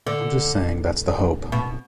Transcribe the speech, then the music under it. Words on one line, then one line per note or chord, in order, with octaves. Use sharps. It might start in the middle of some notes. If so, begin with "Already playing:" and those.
I'm just saying that's the hope.
D3
B2